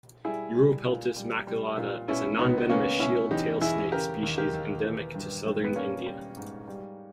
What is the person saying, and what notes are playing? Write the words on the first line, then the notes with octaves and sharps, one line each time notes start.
Uropeltis maculata is a nonvenomous shield tail snake species endemic to southern India.
G3 E4 G#4
G3
A#2
G3
G3
A#2
B2 C#4 E4
C#2 B3 D#4
B3
C#2 A#3 C#4
B2 C#4 E4
E2 D#4 G4
E2 E4 G#4
C#3 G4 A#4
D#2
G4 A#4
D#2
E3
G2
G2
B3
G3 A#3 C#4
G3
G#2
G3